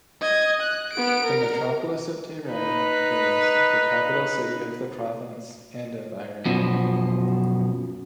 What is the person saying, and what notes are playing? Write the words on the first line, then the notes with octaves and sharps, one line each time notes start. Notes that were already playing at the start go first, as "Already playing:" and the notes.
The metropolis of Tehran is the capital city of the province and of Iran.
D#5 G#6
F#6
B3 D7
A#4
D#4 B4
F#2 B2 F3